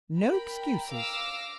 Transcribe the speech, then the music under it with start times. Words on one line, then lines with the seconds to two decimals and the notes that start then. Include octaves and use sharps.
No excuses!
0.19 A#4 G5 B5
0.93 F5 D6 E6 F6 A#6